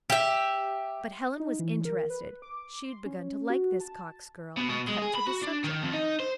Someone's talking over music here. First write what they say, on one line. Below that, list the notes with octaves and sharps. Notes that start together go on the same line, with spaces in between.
But Helen was interested; she had begun to like this Cox girl, and kept to the subject.
G4 E5
D#4
E3
A#4
B4
D6
C6
C#4
F#4
A5
B2
B2
G#3
G#4
B5
F#4
D4
D#3
F2
D#4
C5